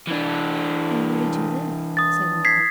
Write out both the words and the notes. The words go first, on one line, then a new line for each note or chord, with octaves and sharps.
'Then where did you live?' said Una.
E3 D4
D#6 A6
G#6 B6 C7